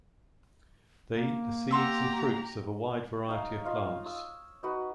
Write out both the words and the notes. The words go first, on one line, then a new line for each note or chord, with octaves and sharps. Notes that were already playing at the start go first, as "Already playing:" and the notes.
They eat the seeds and fruits of a wide variety of plants.
A#3
G4 F#5 A#5 C6 E6
D#4 C#5 F5
F4 D#5 F5
E6
D#4 F#4 B4